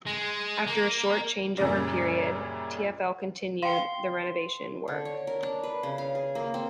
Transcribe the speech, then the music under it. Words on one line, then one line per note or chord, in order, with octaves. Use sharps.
After a short changeover period, TfL continued the renovation work.
G#3
A#3
F#2 A#2 C#3 G3 D5 A#6
F5 G5 C6
D3
C#5
A#4
D4
B4
C#3
F5
G#4
A#3
C4